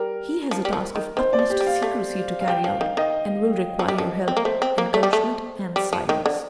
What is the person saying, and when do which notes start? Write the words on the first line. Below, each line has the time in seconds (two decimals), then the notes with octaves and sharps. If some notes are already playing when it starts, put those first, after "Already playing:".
"He has a task of utmost secrecy to carry out and will require your help, encouragement, and silence."
Already playing: G3 A#4
0.51 F3
0.65 G3
0.73 F3
0.96 D#3
1.17 D#3 C5
1.33 D5
1.39 F3
1.50 G4
1.61 G3
1.66 F5
1.82 A3
2.41 F5
2.48 G3 G5
2.64 F3 F5
2.81 D#3 F5
2.97 D#3 D#5
3.79 F3
3.88 G3
3.98 F3
4.28 C4
4.37 A#3
4.45 A3 C5
4.62 C4
4.78 A#3
4.94 A3
5.03 G3
5.13 A3
5.76 G3
5.93 F3
6.09 D#3
6.26 D3